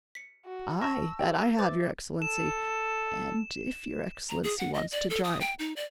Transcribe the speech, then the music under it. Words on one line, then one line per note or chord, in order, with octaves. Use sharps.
"Aye! that I have, your Excellency, and if your Excellency wants to drive . . ."
B6 C#7
F#4
A5 C#6 E6 A#6
G4 D#5 G5
B4 C5 E5 D6 A6
A4 E7
A#5
G#4
F#5
D#5
D5
A4
D#6
G5
D#4
D5